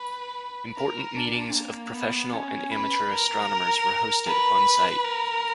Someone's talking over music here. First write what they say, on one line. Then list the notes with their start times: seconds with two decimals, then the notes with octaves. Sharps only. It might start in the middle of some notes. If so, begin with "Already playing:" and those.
Important meetings of professional and amateur astronomers were hosted on site.
Already playing: B4
0.77 A#4
1.16 D4
1.55 A#3
1.94 B3
2.33 C#4
2.71 B4
3.10 A#4
4.27 B4
5.05 A#4